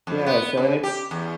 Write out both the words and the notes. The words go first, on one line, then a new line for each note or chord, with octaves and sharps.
Yeah. So and it's
F2
B3
C#3
G4
E2